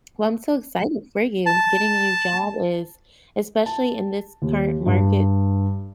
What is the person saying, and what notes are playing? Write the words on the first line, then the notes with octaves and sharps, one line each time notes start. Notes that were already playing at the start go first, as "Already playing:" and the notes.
Well, I'm so excited for you. Getting a new job is especially in this current market
A5
A5
D#2
G2